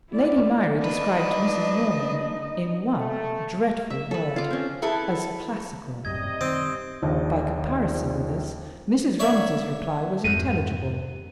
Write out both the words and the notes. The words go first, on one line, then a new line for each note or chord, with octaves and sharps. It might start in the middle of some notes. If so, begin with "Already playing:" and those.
Lady Myrie described Mrs. Norman, in one dreadful word, as "Classical." By comparison with this, Mrs. Romsey's reply was intelligible.
E4 D5
D4 D#4 B4 D#5
A3
E5
A4 B4
F4 D6
C4 C#4
E4 G#4 A4 B4
A#1 F#2 A2 C3 G3 D#5 G#6
D#3 C4 D#6
A#1 D#2
C#5 D5 E5
F2 G#2 D#7